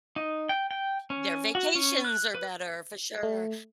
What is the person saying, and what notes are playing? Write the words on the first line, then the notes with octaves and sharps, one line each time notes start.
their vacations are better for sure.
D#4
G5
G5
C#4
F#4
C#4
F#6
B4
A3